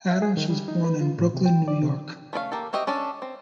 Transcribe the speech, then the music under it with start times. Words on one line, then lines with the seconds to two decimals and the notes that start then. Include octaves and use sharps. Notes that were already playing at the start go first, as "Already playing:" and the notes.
Adams was born in Brooklyn, New York.
0.11 E5
0.22 G#4
0.37 D#3
0.50 G3
0.68 D#4
0.84 B4
1.01 F4
1.18 A2
1.34 C3
1.46 G5
1.68 D5
1.82 C3
2.33 A3 C#4 D5 F5
2.52 A#3 G4 A4
2.73 C4 F#4 G4 D#5 E5
2.87 C#4 D4 A4 D5
3.22 C4